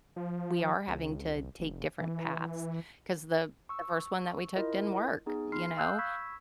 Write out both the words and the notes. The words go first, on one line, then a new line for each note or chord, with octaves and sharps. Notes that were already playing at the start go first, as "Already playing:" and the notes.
we are having to take different paths, 'cause the the first one that we took didn't work, you know?
F3
C#2
C2
F1
E3
C#6 E6
E4 F4 A#4 D#5
B3 D#4 G#4
B5 C6 F6 C7
F5 D#6 E6 F#6 G6
B5 C#6 E6 G#6 B6